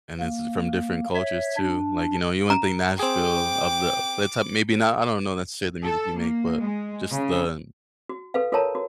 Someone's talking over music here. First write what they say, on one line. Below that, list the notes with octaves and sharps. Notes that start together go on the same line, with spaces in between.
And this is from different cultures too, like, you know, you wouldn't think Nashville of the that's how maybe not I don't know not to share the music you make, but just the n
A#3
C#5 E5
D4
A#5
C4 G#4 G5 D6
A4
A#3
G#3
C#3
F#4
A4 B4 F5
F4 A4 A#4 C#5 A5 A#5
F#4